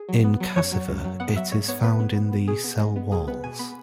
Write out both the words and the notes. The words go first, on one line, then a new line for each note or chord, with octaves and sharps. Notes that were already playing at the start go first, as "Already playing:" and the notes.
In cassava it is found in the cell walls.
Already playing: G#4
F#3
B3
F#3
F#2 C#5
F#3
F#2
F#3
B3 F#5
F#3 E5
G#2 C#5
B3 C#5
B3 B4
B3
B3
B3
B2 G#4
B3
G#3
B3
B2 G#4
B3 B4
B2 G#5
B3 B5